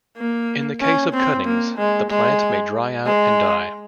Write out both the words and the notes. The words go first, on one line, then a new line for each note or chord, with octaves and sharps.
In the case of cuttings, the plant may dry out and die.
A#3
C#4
C4
A#3
G#3
G#3
G#3